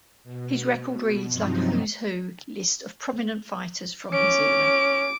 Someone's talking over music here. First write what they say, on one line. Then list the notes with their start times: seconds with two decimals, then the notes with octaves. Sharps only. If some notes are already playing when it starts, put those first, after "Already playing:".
His record reads like a "who's who" list of prominent fighters from his era.
0.23 B2
1.30 G2 C3 F3 F#3 C4 D#4
4.13 C#4 D6 D7